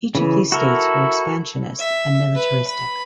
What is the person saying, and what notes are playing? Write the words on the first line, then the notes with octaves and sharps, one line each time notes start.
Each of these states were expansionist and militaristic.
C#3 E3
E4 F#4 A4 A#4
E5
B4
B5